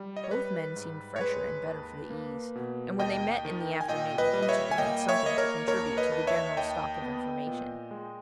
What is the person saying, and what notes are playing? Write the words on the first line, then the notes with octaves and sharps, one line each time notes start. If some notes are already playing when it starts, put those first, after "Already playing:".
Both men seemed fresher and better for the "easy," and when they met in the afternoon each of them had something to contribute to the general stock of information.
Already playing: G3
D#5
C#5
G3 B4
G#2
C#5
G#3 B4
D#2
A#3
B2
D#2 D#5 G5
D#3
G#5
A#2 D#5 G5
B4 D#5
G3
D#5
C#5 E5
G#5
A#3 D#5 G5
C#5 E5
A#3 D#5
A#4 C#5
D#2 A#4 C#5
B4 D#5
D#2
C#5 E5
D#2 D#5 G5
B3
A#2
G#3